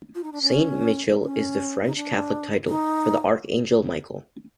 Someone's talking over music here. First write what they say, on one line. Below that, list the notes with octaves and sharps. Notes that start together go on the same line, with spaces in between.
Saint-Michel is the French Catholic title for the archangel Michael.
F4
D#4
D4
C#4
C#4
D#4
D4
D#4